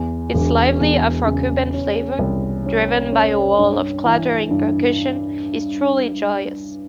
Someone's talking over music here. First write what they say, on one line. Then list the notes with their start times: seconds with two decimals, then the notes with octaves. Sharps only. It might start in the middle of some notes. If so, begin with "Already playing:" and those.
Its lively Afro-Cuban flavor, driven by a wall of clattering percussion, is truly joyous.
Already playing: E2
0.34 E1
0.81 E2
1.26 C#3
1.73 C#4
2.19 C2
2.66 C#4
3.12 C#4
3.58 G2
4.04 E3
4.51 G2